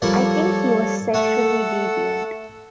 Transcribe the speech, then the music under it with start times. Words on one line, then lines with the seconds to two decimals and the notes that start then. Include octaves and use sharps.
I think he was sexually deviant.
0.02 F3 G3 A#3 A4 C#5
1.14 A3 A4 F#5 E6